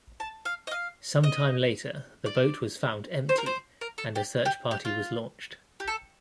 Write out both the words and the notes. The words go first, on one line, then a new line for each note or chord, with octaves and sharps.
Sometime later, the boat was found empty, and a search party was launched.
A5
F5
D#5
F5
D#5
D5
C5
A#4
C5
A#4
A4
G4
G4
G4
F4
G4
A4